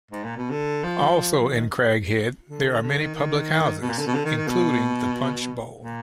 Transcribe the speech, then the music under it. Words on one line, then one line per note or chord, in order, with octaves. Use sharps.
Also in Craghead there are many public houses including the Punch Bowl.
G#2
A#2
B2
D3
F3
F3
D#3
D3
D3
D#3
D#3
B2
A#2
D3
B2
D3
D#3
D#3
B2
A#2